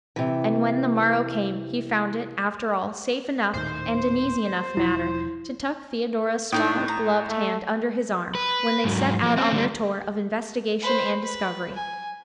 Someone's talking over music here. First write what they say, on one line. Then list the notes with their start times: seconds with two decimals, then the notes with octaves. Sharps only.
And when the morrow came, he found it, after all, safe enough, and an easy enough matter, to tuck Theodora's small, gloved hand under his arm, when they set out on their tour of investigation and discovery.
0.16 C3 E3
3.53 D#1 A2 D#3 C5
4.77 E1 F3 E4
6.52 A2 D4 D#4 G5 D#6 G6
6.88 A#5
7.29 A3
8.35 B4
8.84 G#2 F#3
9.23 F3 A#3
9.37 C4 C#4
9.52 D3 G3
10.81 B4 C5
11.22 B4
11.74 G#5